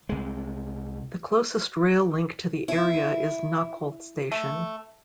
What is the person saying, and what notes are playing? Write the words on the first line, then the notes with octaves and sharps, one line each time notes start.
The closest rail link to the area is Knockholt station.
C2 G#3
E4
A3